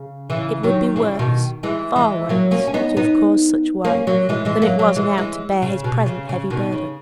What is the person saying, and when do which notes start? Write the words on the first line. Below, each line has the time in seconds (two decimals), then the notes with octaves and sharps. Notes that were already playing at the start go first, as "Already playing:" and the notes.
It would be worse, far worse, to have caused such woe, than it was now to bear his present heavy burden.
Already playing: C#3
0.30 C#3 E3
0.63 D#3 F#3
0.96 C#3 E3
1.19 B2 D#3
1.63 E3 G#3
1.96 E3 G#3
2.29 F#3 A#3
2.51 A#3 C#4
2.67 C#4
2.74 B3 D#4
2.97 B3 D#4
3.85 A#3 C#4
4.07 F#3 A#3
4.29 E3 G#3
4.45 E3 G#3
4.62 F#3 A#3
4.79 F#3 A#3
4.96 E3 G#3
5.18 E3 G#3
5.62 C#3
5.84 B2
6.06 C#3
6.29 C#3
6.50 B2 D#3
6.72 C#3